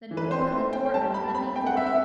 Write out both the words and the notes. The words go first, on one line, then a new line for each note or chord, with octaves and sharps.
"Then open the door and let me go."
E3
B4
C4 C5
A3 C5
C4 G5
G5
G3 A5
G3 B5
C4 B5
C4 G5
F#5
C4 E5
E5